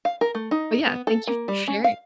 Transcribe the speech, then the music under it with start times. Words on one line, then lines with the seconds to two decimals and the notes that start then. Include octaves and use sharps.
But, yeah, thank you for sharing
0.05 F5
0.21 A#4
0.35 A3
0.51 D#4
0.87 B3
1.07 A4
1.27 A#3
1.48 G3
1.68 C#4
1.84 F5